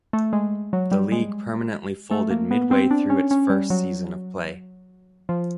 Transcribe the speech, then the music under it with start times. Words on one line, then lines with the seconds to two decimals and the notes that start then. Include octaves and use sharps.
The league permanently folded midway through its first season of play.
0.13 A3
0.33 G#3
0.73 F#3
0.92 G3
1.12 G#3
2.11 A3
2.30 A#3
2.51 B3
2.71 C4
2.91 D4
3.10 C#4
3.31 C#4
3.50 G3
3.70 F#3
5.29 F3